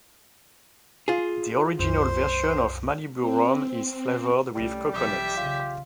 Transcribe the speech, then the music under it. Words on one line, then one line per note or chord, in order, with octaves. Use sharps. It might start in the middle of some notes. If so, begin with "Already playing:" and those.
The original version of Malibu rum is flavored with coconut.
F4 G#4
C2 F#2 C5
C4
C2 G3 A3 C#4
B1 E3 G4 D5 E5
C#3 F4